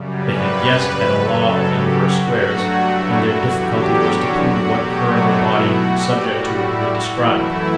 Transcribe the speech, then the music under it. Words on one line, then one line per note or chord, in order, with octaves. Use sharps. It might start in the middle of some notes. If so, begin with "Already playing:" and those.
They had guessed at a law of inverse squares, and their difficulty was to prove what curve a body subject to it would describe.
Already playing: F#2 C#3 G3
B4
F#2 C#3 F#3 A4
A4
G4
F#4
G2 F#3 A3
E4
F#4
E2 D3 F#3 G4
F#4
F#4
B2 F#3 A3 G4
F#4
E4
F#4
A2 G3 G4
F#4
E4
F#4
F#2 E3 A3 E4